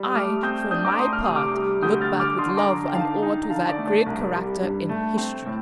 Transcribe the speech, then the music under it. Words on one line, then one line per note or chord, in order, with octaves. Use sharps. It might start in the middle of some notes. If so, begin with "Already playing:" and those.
I, for my part, look back with love and awe to that Great Character in history.
Already playing: G3
D#6
A3 D6 F6
C4 D#6 G6
D4 D#6 G6
A#5 D6
A3 C6 D#6
F6
C3 D#6
D6 F6
G3
D2 D#6 G6
F6 A6
D3
D6 F6
D3 C6 D#6
C6
A#5 D6
D3
G5
D#4 F5 A5
D#4
A#5
D3 F5 A5
D5
A3
D5
C2
G3
G2
A3
C4
A2